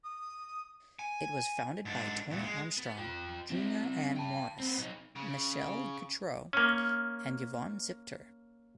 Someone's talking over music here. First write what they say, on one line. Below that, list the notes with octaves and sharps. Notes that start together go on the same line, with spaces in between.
It was founded by Toni Armstrong Junior Ann Morris, Michele Gautreaux, and Yvonne Zipter.
D#6
G#5
G#2 D4
E2 A#2
G#3
B3
F4 G5
C4 E4
G5 A5
B3 C4
B3 D#4
C#3
A#3 C#4